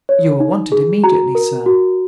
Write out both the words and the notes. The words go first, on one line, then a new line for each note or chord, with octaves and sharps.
"You are wanted immediately, sir."
C#5
D#4
G#4
F#4 A#5
A#4
F#4